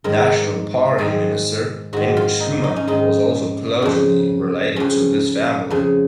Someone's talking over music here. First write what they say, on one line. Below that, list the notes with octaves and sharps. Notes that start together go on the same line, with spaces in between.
National Party Minister Hendrik Schoeman was also closely related to this family.
G#2 D#3 A#4
G#2 D#3 G#4
G#2 D#3 F#4
F4
D#4
D#4
C#4
G#2 D#3 D#4
F2 C#3
F2 C#3 C#4
F2 C#3